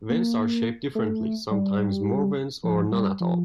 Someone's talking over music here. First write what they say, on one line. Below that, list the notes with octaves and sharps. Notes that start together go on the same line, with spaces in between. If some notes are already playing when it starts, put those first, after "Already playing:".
Vents are shaped differently, sometimes more vents or none at all.
A#3
A3
G3
F3
G3
F3